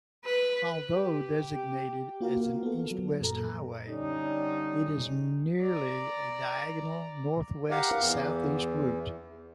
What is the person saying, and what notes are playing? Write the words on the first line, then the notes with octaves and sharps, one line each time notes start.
Although designated as an east-west highway, it is nearly a diagonal northwest-southeast route.
B4
G4
A#3 F4 F#4 A#4 F5
B3 A4
F#3
F#2 A#2 A4 A#5
D3 G3 C#4 D#4
D5 A#5
G4 A#4 F5 F#5
E2